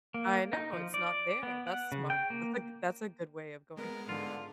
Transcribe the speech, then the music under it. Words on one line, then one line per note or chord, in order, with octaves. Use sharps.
I know, it's not there. That's smart. That's a g that's a good way of going through that.
A#3
D#4
F3
D5
B3
F#5
C#3
G5
A#3
G#3 B3 A#4
G#2 D3 F4